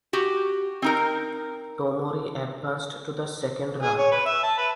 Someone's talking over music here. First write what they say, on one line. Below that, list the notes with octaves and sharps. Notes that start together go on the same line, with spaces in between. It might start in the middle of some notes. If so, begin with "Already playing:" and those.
Tomori advanced to the second round.
F#4 G4
C4 D#4 A#4
G#4
C#5
B4
E5
A5
B4